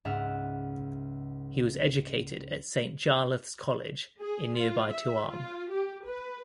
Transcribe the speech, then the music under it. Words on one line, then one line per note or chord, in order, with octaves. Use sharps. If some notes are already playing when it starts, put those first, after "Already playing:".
He was educated at Saint Jarlath's College in nearby Tuam.
C#2 G#2 E5 F#5 F6
G#4
F4
E5
F4
G4
B4